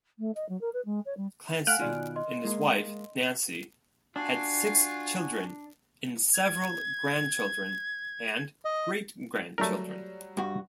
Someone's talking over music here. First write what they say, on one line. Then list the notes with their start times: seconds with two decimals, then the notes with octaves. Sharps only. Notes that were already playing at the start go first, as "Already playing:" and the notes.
Clancy and his wife, Nancy, had six children and several grandchildren and great-grandchildren.
0.19 A3
0.35 D#5
0.48 F#3
0.61 A#4
0.73 B4
0.85 G#3
1.05 C#5
1.17 G3
1.67 A3 F5 F#5 G#5 F6 F#6 D7
1.80 B2 D#3 F4 D5 G#5
2.16 D#5 C6
2.45 G#3 A#3
4.16 D4 F4 F#4 G#5
6.34 G#6
8.65 D#5
9.58 F#3 G3 A3 A#4
10.37 G2 F#4